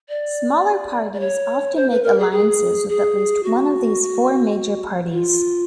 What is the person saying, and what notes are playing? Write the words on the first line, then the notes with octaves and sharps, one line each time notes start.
Smaller parties often make alliances with at least one of these four major parties.
D5
D5
C#5
C5
B4
A#4
G#4
G#4
G#4
F#4
F4